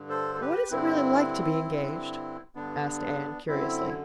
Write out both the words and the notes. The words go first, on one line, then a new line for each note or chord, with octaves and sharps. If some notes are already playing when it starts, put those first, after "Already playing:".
"What is it really like to be engaged?" asked Anne curiously.
Already playing: G2 D3
A4 C5
A4
G4 B4
G2 D3 C4 E4
G2 D3
G2 D3 B3 D4
F#2 D3 C4 E4